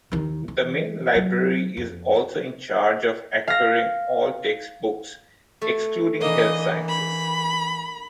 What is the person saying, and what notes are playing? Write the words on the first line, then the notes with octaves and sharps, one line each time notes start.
The Main Library is also in charge of acquiring all textbooks excluding health sciences.
D#2 D#3
E3
F#3
F2
F5 A#6
A3
E3 A#3 D4 D#5
B5